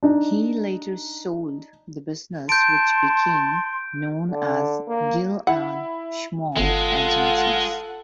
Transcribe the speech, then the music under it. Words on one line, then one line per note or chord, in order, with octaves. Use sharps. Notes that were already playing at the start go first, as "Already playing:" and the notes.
He later sold the business, which became known as Gill and Schmall Agencies.
D4 D#4
A5 C6 G6 D7
D3
A#3
E4 F#5
G1 G#3 F4 A4 F#5